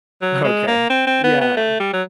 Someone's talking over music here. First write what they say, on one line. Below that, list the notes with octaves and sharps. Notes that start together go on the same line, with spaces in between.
Okay. Yeah.
F#3
G#3
A#3
C4
C4
B3
B3
A3
G3
F#3